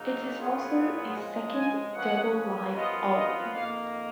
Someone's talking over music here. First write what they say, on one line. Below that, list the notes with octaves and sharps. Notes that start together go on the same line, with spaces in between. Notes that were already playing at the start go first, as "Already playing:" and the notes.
It is also the second double live album.
Already playing: F#2 C#3 F#3 A#3 D#4
A#2 F#3 B3 F4 G#4
C#3 F3 G#3
G#5
F3 A#3 C#4 G#4 B4 F#5
F#2 F3 B3 F4 D#5
D#5
F2 D#3 A#3 F5